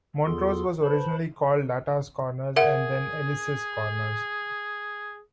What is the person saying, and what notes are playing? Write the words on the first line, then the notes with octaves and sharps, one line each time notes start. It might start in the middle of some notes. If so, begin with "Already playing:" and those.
Montrose was originally called Latta's Corners and then Ellis' Corners.
E2 B3 F4 G#4 A4 C6
B4 C5 A5 B5
G#4 A#4 E5 F#5